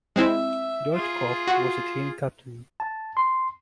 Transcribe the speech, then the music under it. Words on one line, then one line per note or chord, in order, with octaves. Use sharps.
George Cobb was the team captain.
G#3 C4 E4 E5
F4 G#4
F#4
A5
C6